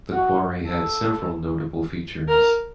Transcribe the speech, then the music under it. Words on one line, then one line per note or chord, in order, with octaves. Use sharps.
The quarry had several notable features.
F#4
A4
A#4